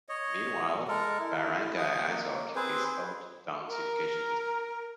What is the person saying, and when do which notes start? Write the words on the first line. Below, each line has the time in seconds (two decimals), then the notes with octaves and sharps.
Meanwhile, Barangay Isok is home to the town's education district.
0.09 C#5 D#5
0.88 G#3 A4 A#4
1.19 E4
1.77 D#6
2.08 A#3
2.55 C4 G#4 B4 C5
3.68 A#4